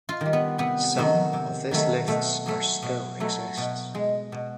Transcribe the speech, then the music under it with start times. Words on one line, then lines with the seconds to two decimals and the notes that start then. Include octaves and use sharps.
Some of this lifts are still exists.
0.09 F4
0.21 D#3 G3
0.33 B3
0.58 C3 B3
0.95 D#3 F#3 A3
1.33 C3
1.71 D#3 F#3 A3
2.08 B2 A3
2.46 F#3 A3
2.82 B2
3.20 F#3 A3
3.57 B2
3.95 G#3
4.32 B2